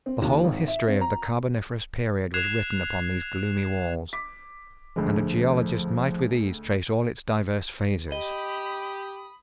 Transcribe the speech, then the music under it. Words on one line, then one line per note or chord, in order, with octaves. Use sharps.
The whole history of the carboniferous period was written upon these gloomy walls, and a geologist might with ease trace all its diverse phases.
C4
D#2
G#1
E5
C4
A#5
F#6 G#6 C7 E7 F7
D6 B6
D2 D3 F3 G#3
G4 D#5 B5 D#6